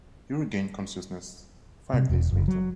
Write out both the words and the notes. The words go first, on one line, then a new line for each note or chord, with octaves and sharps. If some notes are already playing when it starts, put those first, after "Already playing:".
He regained consciousness five days later.
C3
E1
F#1
F#3